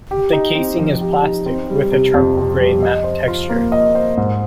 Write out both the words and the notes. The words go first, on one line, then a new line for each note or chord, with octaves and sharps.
The casing is plastic, with a charcoal-gray matte texture.
G4
D#4
C4
F3
G4
D#4
C4
G3
C3
F2
C4
G3
D#5
C5
F4
A#3
D#5
C5
G#2